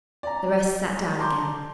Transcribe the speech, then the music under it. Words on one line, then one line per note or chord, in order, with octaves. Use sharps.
The rest sat down again.
D5 A#5
A5 A#5 C6 D6 G6